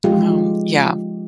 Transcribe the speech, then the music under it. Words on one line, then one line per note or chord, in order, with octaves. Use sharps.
Um, yeah.
F3 G#3 F4 G4